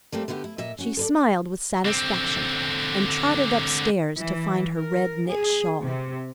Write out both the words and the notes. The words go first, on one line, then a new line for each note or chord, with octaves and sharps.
She smiled with satisfaction, and trotted upstairs to find her red knit shawl.
G3 A3 A#3 C4
D3 A3 B3 E4 G4
E4
A#2 D#5 E5
C#4 F#4
A4 B4 D5
D3 C4
E3
A#4
G#4
C3